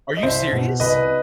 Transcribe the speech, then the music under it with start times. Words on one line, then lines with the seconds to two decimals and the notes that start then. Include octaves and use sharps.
Are you serious?
0.17 D#5
0.23 C2 C5 E5
0.52 B2
0.80 C2 B4 D#5